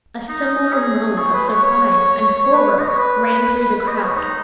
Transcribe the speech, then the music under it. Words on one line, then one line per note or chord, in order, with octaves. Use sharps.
A similar moan of surprise and horror ran through the crowd.
D#4
G#4
C#5
B4
C#5
C#5
C#5
B4
D#5
C#5
B4
D#5
B4
C#5
D#4